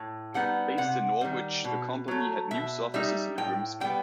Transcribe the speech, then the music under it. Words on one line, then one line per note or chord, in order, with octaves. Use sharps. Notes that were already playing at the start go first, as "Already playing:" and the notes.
Based in Norwich the company had news offices in Grimsby.
Already playing: A2
G3 B3 D#4 F#5
C3 F#5
D#3 G3
B2
F#3 A3
B2 E5
G3 D#4 E5
A2 G5
G3 B3 G5